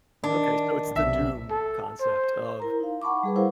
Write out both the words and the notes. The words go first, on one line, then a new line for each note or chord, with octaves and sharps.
Okay, so it's the doom concept of,
D#3 D4
B1 C3 E5
A4
C5
E4 A#4 A#5
D#4 F5
F#5 A5 B5 C#6 D6
G3 G#4 B4
E4 A#4 C5 F5 F#5